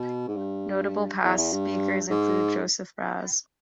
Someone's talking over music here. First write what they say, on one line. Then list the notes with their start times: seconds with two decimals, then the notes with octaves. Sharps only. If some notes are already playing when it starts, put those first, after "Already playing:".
Notable past speakers include Joseph Raz.
Already playing: B2
0.28 G#2
0.36 G2
1.23 E2
1.38 E2
1.52 G2
2.10 G#2